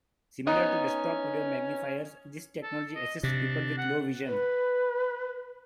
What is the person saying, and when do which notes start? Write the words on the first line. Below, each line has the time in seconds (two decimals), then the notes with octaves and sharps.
Similar to desktop video magnifiers, this technology assists people with low vision.
0.47 B3 C#4 D#4
2.63 A4
2.96 D#5
3.23 C3 D4
3.78 F#5
4.27 B4